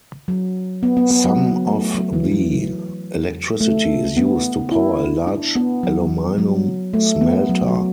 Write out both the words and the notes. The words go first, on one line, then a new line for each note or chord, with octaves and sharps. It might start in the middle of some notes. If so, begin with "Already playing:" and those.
Some of the electricity is used to power a large aluminum smelter.
F#3
B3
B3
B3
F#3
F#3
A3
F#3
E3
F#3
A3
B3
E4
D4
B3
F#3
F#3
A3
B3
F#3
F#3